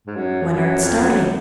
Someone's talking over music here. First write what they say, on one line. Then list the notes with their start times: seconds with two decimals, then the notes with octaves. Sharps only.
"When art starting?"
0.07 G#2
0.15 F#2
0.42 F2
0.49 F#2
0.82 F2
1.04 F#2